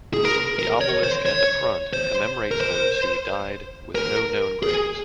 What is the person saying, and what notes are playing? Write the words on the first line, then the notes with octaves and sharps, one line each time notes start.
The obelisk at the front commemorates those who died with no known graves.
G#4
A#4
A#4
C#5
C5
C#5
C5
A#4
C5
A#4
G#4